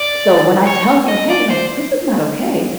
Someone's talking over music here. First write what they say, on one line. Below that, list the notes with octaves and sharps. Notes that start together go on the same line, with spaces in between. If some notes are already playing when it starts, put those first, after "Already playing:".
So when I tell you, "Hey," like, "this is not okay,"
Already playing: D5
C#5
D#5
D5
C5